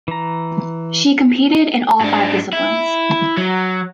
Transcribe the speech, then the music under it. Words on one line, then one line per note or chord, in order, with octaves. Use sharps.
She competed in all five disciplines.
E3 A#5
G#2 D4
E4
F#3